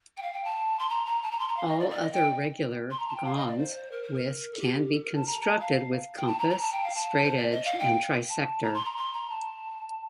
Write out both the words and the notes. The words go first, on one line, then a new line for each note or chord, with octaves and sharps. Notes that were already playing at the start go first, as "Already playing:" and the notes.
All other regular -gons with can be constructed with compass, straightedge and trisector.
G5
F5
G5
A5
C6
A#5
A#5
A5
A#5
C6
A#5
F5
D#5
D5
D5
D#5
G5
C6
A#5
A5
G5
F5
D#5
D5
C5
A#4
C5
A#4
A4
G4
A4
A#4
A5
A#5
A5
F5
G5
A5
A#5
A#5
A5
G5
F5
A5
C5
D5
D#5
F5
G5
A5
A#5
C6
A#5
C6
A#5
A5